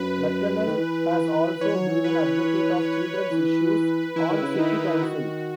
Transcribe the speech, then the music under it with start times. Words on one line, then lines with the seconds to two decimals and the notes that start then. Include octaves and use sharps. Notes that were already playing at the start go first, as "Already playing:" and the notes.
McConnell has also been an advocate of children's issues on city council.
Already playing: F#2 B4
0.67 D#3
0.76 E3
1.61 E3 C#5
1.74 F#3
1.88 E3
2.04 B4
3.31 E3
4.16 E3 E4
4.29 D#3
4.42 C#3
4.55 D#3 D#4
5.02 F#4